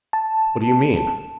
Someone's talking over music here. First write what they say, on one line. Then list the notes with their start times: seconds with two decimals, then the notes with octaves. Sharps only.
What do you mean?
0.13 A5